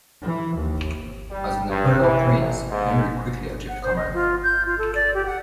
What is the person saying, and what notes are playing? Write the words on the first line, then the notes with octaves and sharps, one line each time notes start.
As an imperial prince, Henry quickly achieved command.
E3
D#2
G3
G2
E3
A1
G#2
F#5
C5
D#5
F4
G6
F4
A4
D5
G4
F#5